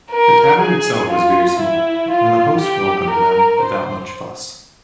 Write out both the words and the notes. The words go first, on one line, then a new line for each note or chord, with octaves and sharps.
The tavern itself was very small and the host welcomed them without much fuss.
A#4
G#4
F4
E4
F4
G4
A#4
C5